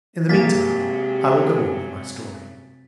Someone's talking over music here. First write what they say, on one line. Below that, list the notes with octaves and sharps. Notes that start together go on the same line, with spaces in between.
In the meantime, I will go on with my story.
G#1 C3 F#3 G#3 A#3 G4 A6 B6